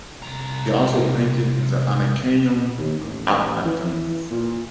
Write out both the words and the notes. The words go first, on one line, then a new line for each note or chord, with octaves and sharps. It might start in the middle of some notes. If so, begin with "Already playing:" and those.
He also painted in the Anakeion at Athens.
C2 A#5
D#2
A1
E3
A#2